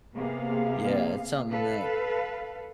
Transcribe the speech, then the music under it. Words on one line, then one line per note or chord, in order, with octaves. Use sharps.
Yeah. It's something that
C3 A#3 B3 G#4 F5
A4 B4 F5